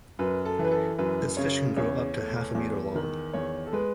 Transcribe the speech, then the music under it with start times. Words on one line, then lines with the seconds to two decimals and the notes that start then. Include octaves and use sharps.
This fish can grow up to half a meter long.
0.19 F#2 B4
0.45 A4
0.59 E3
0.65 B4
0.71 A4
0.98 F#2 B4
1.37 C#3 C#5
1.77 E2 C#5
2.16 A3
2.55 E2
2.95 D#3
3.33 E2 C#5
3.67 A4
3.73 G#3 B4